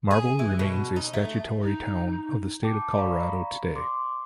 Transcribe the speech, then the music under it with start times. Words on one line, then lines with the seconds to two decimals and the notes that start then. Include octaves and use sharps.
Marble remains a statutory town of the State of Colorado today.
0.11 G#4
0.39 E3
0.59 B2
0.96 D#4
1.13 A3
1.62 D#4
2.63 G5 A5 D6
2.96 D5 F5 A#5 B5 C#6
3.76 C6 D6